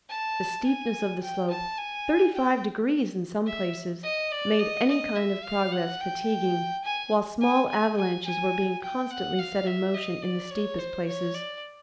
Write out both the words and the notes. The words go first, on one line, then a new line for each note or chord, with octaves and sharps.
The steepness of the slope--thirty-five degrees in some places--made any kind of progress fatiguing, while small avalanches were being constantly set in motion in the steepest places.
A5
G#5
G5
A5
G#5
G5
E5
D#5
D5
D#5
D#5
E5
F5
F#5
G5
G#5
G#5
G#5
G#5
G#5
G5
F#5
F5
E5
D#5
D5
C#5
C5
C#5
D5